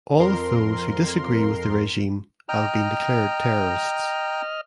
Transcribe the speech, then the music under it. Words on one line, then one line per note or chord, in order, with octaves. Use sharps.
All of those who disagree with the regime have been declared terrorists.
F2 A#4 C6
D#5 G5 A#5 F6